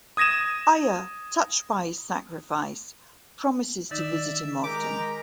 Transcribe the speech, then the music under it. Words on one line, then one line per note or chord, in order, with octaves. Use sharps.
Aya, touched by his sacrifice, promises to visit him often.
D#6 G#6 A#6 D#7 E7
D#3 D#4 D5 E5
G#3 G4 A#4 A#5 D6